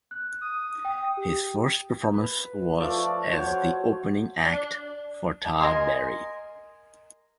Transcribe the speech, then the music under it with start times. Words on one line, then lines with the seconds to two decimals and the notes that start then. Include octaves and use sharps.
His first performance was as the opening act for Todd Barry.
0.11 F#6
0.41 D#6
0.85 G5
1.17 G4
2.14 B4
2.80 F3 A3 D5 D6
3.32 F#4 C5 C#5
4.44 D4
5.60 A#4 D#5 G#5 C6